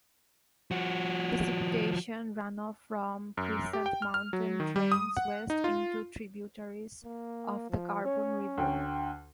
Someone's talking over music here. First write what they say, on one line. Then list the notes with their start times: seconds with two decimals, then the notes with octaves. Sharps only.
Precipitation runoff from Crescent Mountain drains west into tributaries of the Carbon River.
0.71 F3 F#4
3.37 F#2
3.73 G4
3.86 G5
4.02 F6
4.14 F6
4.33 F#3
4.60 D#3
4.76 G3
4.92 D#6
5.17 F#5
5.50 D#4
5.64 F4
7.04 A#3
7.70 F3
8.04 C#4 C#5
8.58 D2 G5